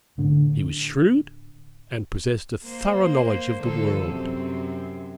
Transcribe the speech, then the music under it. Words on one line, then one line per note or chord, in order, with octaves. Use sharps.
He was shrewd, and possessed a thorough knowledge of the world.
A2 D3
A#3 C5
D3 F3 A4
F#2 C3 C4